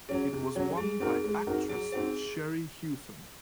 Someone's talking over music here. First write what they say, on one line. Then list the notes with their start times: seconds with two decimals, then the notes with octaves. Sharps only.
It was won by actress Sherrie Hewson.
0.09 F#3 C#4 G#4
0.33 C3
0.55 F#3 C#4
0.78 G#3 G#4
1.00 C4 D#4 F#4 G#4 A#4
1.24 G#3
1.47 C4 D#4 F#4 A#4
1.69 F#3 G#4
1.92 C4 D#4 F#4 G#4 C5